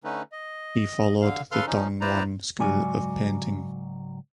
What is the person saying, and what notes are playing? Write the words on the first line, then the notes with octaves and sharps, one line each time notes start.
He followed the Dong Yuan school of painting.
D3 A3 C#4 D#4 B4
D#5
D3 F5
C#3 A4 B4 F5 C6 F6
F3 C#4 D#4
E4 B4 C5 D5 A#5
C#2 G#2 F#3 F#4 D5 G#5